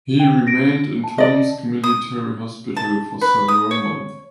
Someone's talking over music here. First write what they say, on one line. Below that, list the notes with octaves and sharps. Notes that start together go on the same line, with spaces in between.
He remained in Tomsk military hospital for several months.
G5
A#6 D7
A5
D5 D#5
D#6
A5
B4
D#6
C#5